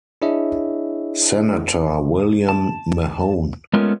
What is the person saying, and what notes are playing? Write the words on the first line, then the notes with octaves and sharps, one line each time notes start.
Senator William Mahone.
D4 E4 G#4 C#5 D#5 E5
A5
G#3 A3 B3 C#4 F4 A#4